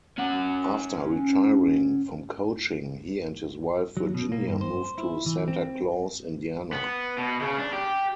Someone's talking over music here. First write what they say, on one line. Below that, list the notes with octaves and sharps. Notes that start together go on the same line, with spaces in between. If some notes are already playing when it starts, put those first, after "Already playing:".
After retiring from coaching he and his wife Virginia moved to Santa Claus, Indiana.
C#4 F#5
F#3
B2
A#3
G2
C5
E4
E3
C4
B3
B2
C#3
D4
G4